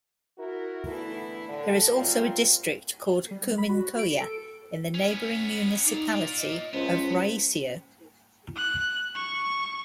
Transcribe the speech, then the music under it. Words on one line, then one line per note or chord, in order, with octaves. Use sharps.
There is also a district called Kuninkoja in the neighbouring municipality of Raisio.
E4 F#4 A#4
D3 E3 A3 B3 E4
A2 D3
F#2 G3 A3 C4 F4 A#4
G3
B5
F#4
D7
A4
B3 C#4
D#4 F4 D5
D#5
C#2 B3 C5
F#6
C#6